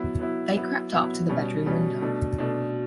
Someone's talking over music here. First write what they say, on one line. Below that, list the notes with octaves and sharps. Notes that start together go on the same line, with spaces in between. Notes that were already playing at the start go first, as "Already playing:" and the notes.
They crept up to the bedroom window.
Already playing: F#3 B3 E4
F#3 B3 E4
F#3 B3 E4
F#3 B3 E4
B2 G3 C#4
B2 G3 C#4
B2 A3 D4
B2 A3 D4